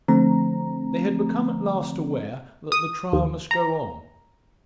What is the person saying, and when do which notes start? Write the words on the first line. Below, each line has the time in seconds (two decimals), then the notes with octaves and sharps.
They had become at last aware that the trial must go on.
0.08 D3 F3 A3 C4 A#5
2.72 D#6
3.13 D#2
3.51 A#5